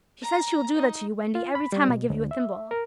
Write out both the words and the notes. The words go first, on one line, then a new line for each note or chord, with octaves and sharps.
"She says she will do that to you, Wendy, every time I give you a thimble."
A#5
D#4
F4
B5
G3
B2
D2
E5
A#4